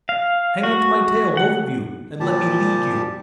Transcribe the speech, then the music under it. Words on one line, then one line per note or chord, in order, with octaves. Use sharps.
Hang onto my tail, both of you, and let me lead you.
F5
F#4
F#5
A#2 F3 G3 G4 A5